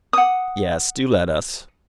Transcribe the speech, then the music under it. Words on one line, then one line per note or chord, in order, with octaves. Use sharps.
"Yes, do let us."
F#5 D#6